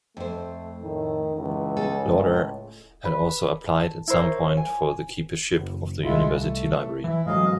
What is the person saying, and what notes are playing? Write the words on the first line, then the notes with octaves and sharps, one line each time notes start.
Lauder had also applied at some point for the keepership of the university library.
F2 A3 C5
A2 D#3
C#2 E3
G#4 A4
A2
B4
A5
E4 A#4 C5 C#5
G#5
F#1
C2 G#3 E4 F4
A3
E3 E4
G#2 E3 F#3 D#5 F5